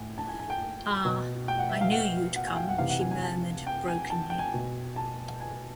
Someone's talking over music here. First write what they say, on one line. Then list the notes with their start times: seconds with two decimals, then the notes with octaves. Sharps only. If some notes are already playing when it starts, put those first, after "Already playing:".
"Ah, I knew you'd come," she murmured brokenly.
Already playing: A2 G#5
0.18 A5
0.28 G#5
0.39 G#5
0.50 G5
1.05 B2
1.48 G5
1.59 F#5
1.69 E5
1.81 F5
1.91 F#5
2.36 F#5
2.47 G#5
2.57 G5
2.69 F#5
2.78 C3 E3 F5
2.89 F#5
3.01 G#5
3.11 G#5
3.22 A5
3.67 G5
3.88 G#5
4.10 A5
4.30 G5
4.39 G#5
4.54 B2
4.96 A5
5.40 G#5